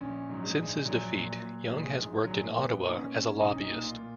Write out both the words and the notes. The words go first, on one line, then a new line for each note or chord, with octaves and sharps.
Since his defeat, Young has worked in Ottawa as a lobbyist.
A#1 C#4
G#2 F#3
G#3
A#1
A#1 F#3
A#2
A#2
A#1 G#3
G#2
A#1 F#3
G#3
A#3
A#1 B3
A#2 D#4
C#4
A#2
B1 D#4
C#4
D#4
A#2
F4
A#2